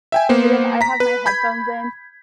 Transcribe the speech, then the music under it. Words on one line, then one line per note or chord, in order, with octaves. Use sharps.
that if I have my headphones in,
E5 G5 G#5
A#3 B3 C5
A#5 B6
B4
B5 G6 G#6 B6